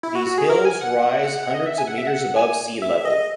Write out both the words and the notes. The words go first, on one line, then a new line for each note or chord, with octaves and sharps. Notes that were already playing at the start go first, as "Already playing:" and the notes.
These hills rise hundreds of meters above sea level.
E4
F#4
F#4
G#4
A#4
G#5
F#5
F#5
F#5
F#5
D#5
E5
G#5
F#5
E5
F#5
G#5
E5
E5
D#5